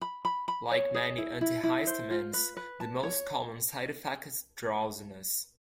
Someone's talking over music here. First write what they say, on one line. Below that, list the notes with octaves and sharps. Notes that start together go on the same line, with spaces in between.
Like many antihistamines, the most common side effect is drowsiness.
B5
B5
B5
C#5
G#4
E4
E4
E4
C5
F4
B4
B4
A5
C#5